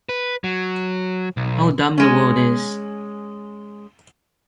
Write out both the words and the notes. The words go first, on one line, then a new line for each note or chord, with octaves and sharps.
How dumb the world is.
B4
F#3
B1
G#3 C#4